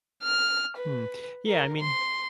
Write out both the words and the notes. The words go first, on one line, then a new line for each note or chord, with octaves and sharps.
Hmm. Yeah, I mean
F6
B4
A#4
C6